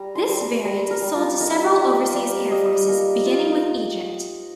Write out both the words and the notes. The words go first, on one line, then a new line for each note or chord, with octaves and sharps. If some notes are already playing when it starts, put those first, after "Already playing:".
This variant sold to several overseas air forces beginning with Egypt.
Already playing: G3 A#5
C6
G3
A#5
G3 A#5
A#4
G3
F4
D#4 A#4
G4
G3
G4
G3 C5
G3 D#5
A#3 A#4
F4